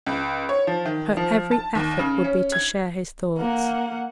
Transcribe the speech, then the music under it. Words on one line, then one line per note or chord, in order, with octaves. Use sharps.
Her every effort would be to share his thoughts.
C#2
C#5
F3
D#3
F3
A5
D#2
C#3
C#4
G#6
A#3 F#5